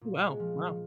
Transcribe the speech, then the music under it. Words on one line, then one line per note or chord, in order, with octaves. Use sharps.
Wow, wow.
A#2
G#3
F3
F3